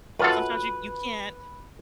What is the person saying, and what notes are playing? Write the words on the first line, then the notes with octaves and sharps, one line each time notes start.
Sometimes you you can't
F#2 F4 A4 B4